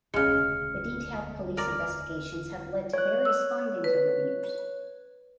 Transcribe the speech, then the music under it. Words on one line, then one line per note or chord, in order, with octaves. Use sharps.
The detailed police investigations have led to various findings over the years.
E1 D2 C#3 G#3 F6 C#7
A#4 D5 F6
C#5 F#6
E6
B4